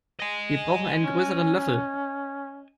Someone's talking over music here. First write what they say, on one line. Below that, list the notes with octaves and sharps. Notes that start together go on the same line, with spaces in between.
Wir brauchen einen größeren Löffel.
D#5 G#5
C#4